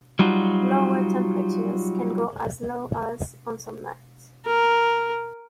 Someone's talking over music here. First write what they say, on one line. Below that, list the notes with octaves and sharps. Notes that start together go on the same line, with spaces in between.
Lower temperatures can go as low as - on some nights.
F#3 G3 D#4 F4 F#4
A#4